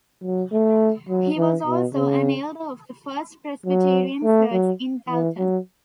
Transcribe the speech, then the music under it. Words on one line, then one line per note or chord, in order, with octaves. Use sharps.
He was also an elder of the First Presbyterian Church in Dalton.
F#3
A3
F#3
E3
B2
C#3
F#3
A3
F#3
E3
F#3